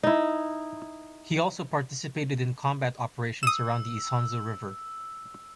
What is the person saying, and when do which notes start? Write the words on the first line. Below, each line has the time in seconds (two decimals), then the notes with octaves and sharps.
He also participated in combat operations around the Isonzo river.
0.03 D#4 E4
3.43 D#6 E6 E7